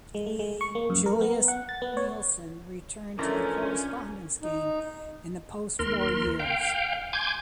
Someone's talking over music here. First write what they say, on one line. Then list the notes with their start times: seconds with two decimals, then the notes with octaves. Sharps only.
Julius Nielsen returned to the correspondence game in the postwar years.
0.15 G#3
0.26 A3
0.39 G#3
0.61 C#6
0.75 A#3
0.90 F#2
1.06 A#4
1.21 B3
1.48 F#5
1.69 A6
1.82 B3
1.97 C#5
3.19 E3 F3 A3 C#4 D4 F4 A#4 A#5
4.43 D#4
5.79 D#2 A#4 C6
6.39 F5 G5
7.13 G#5 C6 D6 G6 G#6